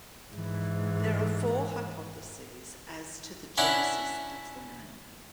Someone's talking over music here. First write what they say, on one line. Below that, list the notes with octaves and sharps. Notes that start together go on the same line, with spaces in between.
There are four hypotheses as to the genesis of the name.
G#2 E3
C#4 D4 E4 E5 F#5